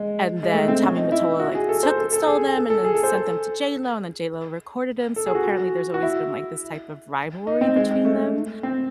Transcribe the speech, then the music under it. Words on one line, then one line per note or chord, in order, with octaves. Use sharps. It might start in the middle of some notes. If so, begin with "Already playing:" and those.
and then Tommy Mottola, like, took stole them and then sent them to JLo, and then JLo recorded them. So apparently, there's always been, like, this type of rivalry between them,
Already playing: G#3
G#3
A3
C4
C#4
D#4
E4
F#4
G#4
A4
C5
A4
A4
G#4
A4
A4
G#4
A4
C5
A4
A4
G#4
F#4
F#4
E4
D#4
C4
G#3
G#3
A3
C4